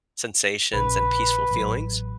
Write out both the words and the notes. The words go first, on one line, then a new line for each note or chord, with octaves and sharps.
sensations and peaceful feelings.
A#1 C#3 B4
A1 F#3